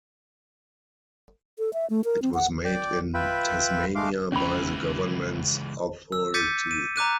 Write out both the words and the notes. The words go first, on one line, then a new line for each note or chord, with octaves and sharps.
It was made in Tasmania by the government's authority.
A4
E5
A3
A#4
C4
F#5
D5 G5 D6
F4 B4 E5 G5 B5
G#3 A3 F5 C6 D6
C#2 E3 C#4 B5
E6
D6 G6 A6 B6 C#7 D#7
D#7
A#5 D6 F#6 D#7